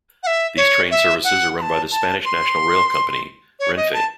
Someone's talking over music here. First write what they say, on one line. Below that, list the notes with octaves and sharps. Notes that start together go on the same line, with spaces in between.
These train services are run by the Spanish national rail company, Renfe.
F#5
E5
C#5
E5
F#5
C6
A5
A5
C6
C#5
D#5
A5